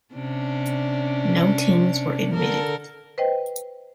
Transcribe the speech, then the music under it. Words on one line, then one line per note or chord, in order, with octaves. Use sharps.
No teams were admitted.
C3 C#4 D4
D3 A4 A#4
B4 C5 D#5 G5